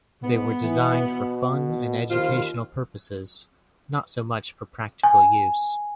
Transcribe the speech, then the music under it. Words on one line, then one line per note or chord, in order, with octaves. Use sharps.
They were designed for fun and educational purposes, not so much for practical use.
G#2 B3
E3
B2
D#2 F3 F4
G#5